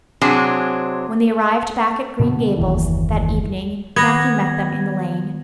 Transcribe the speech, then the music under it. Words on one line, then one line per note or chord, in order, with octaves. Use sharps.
When they arrived back at Green Gables that evening Matthew met them in the lane.
C3 F#3 C4 D4 G#4
B2 D3 B3
F#1 D#2 E3
D#3 B3 G#6 A#6